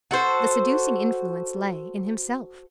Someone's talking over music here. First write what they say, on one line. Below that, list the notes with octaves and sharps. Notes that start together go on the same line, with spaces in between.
The seducing influence lay in himself.
F#4 A4 C5